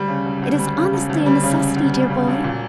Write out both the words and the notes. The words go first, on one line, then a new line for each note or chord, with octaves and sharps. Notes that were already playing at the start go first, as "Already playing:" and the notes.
It is honestly a necessity, dear boy.
Already playing: D2 G3
C#3
E1
D2
G3
C#3
E1
D2
G3
C#3
E1
D2
G3
C#3
E1
A#2